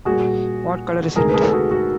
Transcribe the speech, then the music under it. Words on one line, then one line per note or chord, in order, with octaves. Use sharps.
What color is it?
A#2 G3 A#3 F#4 G#4
D2 C3 D#3 G#3 G#4 A#4
B4
G#4 A#4
A4
F#4 G#4
F#4